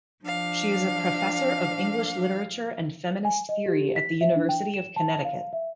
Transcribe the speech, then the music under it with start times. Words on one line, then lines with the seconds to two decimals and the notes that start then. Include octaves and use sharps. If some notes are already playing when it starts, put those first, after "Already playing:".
She is professor of English literature and feminist theory at the University of Connecticut.
0.24 F3 D4 F5
3.25 G#5
3.49 D#5
3.66 G4
3.96 B6
4.21 E5
4.36 D4
4.49 G5
4.74 E7
4.96 A5
5.25 F5
5.53 E5